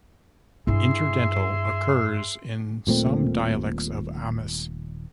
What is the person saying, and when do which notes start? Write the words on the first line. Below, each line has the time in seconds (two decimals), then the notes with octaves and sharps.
Interdental occurs in some dialects of Amis.
0.67 G2 E4 G#4 E5 C6
2.87 D#1 A#2 A3 C4